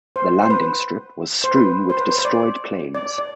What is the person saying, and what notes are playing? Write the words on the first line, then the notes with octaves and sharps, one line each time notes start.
The landing strip was strewn with destroyed planes.
C5
C5
B4
C5
B4
C5
B4
C5
C5
D5
D5
D5